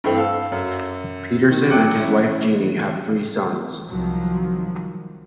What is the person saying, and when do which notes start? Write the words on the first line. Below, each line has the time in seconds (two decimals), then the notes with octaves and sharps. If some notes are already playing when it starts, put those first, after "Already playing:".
Pederson and his wife Jeannie have three sons.
0.04 G2 E3 A3 C4
0.17 A4 F5 F#5 E6
0.52 F#2
1.51 D#3
1.70 F#3 A3 G5 D6 F#6 C#7
1.99 C#4 E4
3.87 C2 D#3 F3 F#3